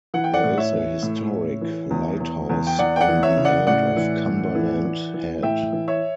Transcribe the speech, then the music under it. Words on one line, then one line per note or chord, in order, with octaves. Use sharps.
There is a historic lighthouse on the end of Cumberland Head.
E3 F#5
G5
D5 F#5
A2
C#5 E5
E3
A2
A2
E3
E2
E2
E2
G5
E2 D5 F#5
G5
D5 F#5
E3
C#5 E5
C#3
D5 F#5
A2 D5 F#5
E3
A2
E3
E3
E3
A2 E5 G5
E3
C#5 E5